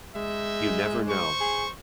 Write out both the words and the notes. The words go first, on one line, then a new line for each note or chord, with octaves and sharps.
You never know.
G#3 D#4 E5
C5 C#6
G#4